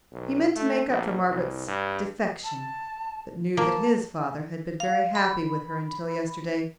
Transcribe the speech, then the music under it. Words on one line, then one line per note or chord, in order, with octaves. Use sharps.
He meant to make up for Margaret's defection, but knew that his father had been very happy with her until yesterday.
B1
A3
A#1
C2
G2
A5
A#3 A5
F5
B5